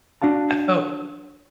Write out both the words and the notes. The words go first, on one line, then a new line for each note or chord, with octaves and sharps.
I felt
D4 F#4 F5 A5